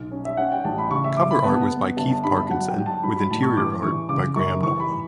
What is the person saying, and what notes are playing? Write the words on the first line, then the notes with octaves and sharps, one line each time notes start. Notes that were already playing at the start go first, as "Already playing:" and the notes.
Cover art was by Keith Parkinson, with interior art by Graham Nolan.
Already playing: B1 D3
C#4
E5
C#4 F#5
G5
A1 A5
B5
C#3 C#6
E5
G1 D6
B5
B3 A5
B3
G1 A5
A5
G2 B5
A5
F#3 F#5
G5
F#3
A5
F#3 B5
B5
A2 A5
C#6
E3 D6
E3 C#6
C#3 D6
F#2 C#6
E3 C#6
B5